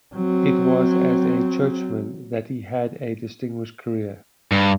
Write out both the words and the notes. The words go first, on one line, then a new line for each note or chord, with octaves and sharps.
It was as a churchman that he had a distinguished career.
F#3 C4
G2